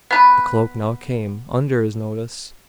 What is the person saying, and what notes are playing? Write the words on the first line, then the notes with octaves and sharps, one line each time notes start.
The cloak now came under his notice.
B3 B4